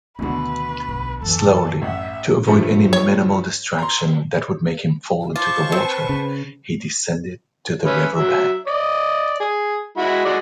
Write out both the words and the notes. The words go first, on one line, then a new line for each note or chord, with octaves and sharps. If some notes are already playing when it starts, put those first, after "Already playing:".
Slowly, to avoid any minimal distraction that would make him fall into the water, he descended to the riverbank.
D2 B2 D3 D#3 B3 B4
B1
F#2 E3 A4
A1 E5 F#5
G2 F3 A3
C#5
A#5 C6
F4 C5 A5 C#6 D6
C4 B4
C#3
C#4 B4 E5
F#3 E5
D5 D#5
G#4
G#3 E4 F#4
G#3 F#4 D5